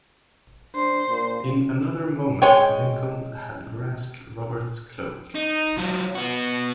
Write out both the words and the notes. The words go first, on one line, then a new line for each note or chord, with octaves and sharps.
In another moment Lincoln had grasped Robert’s cloak.
D4 C5
A#2
G#3 C#5 G5
D#4
F#3 F4
B3 F#4